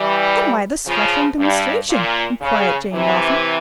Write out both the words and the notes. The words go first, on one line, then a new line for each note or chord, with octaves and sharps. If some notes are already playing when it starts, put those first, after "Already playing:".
"Then why this flattering demonstration?" inquired Jane, laughing.
Already playing: E3 G3
C#3 F3
G2
A#2
C#3
C3 E3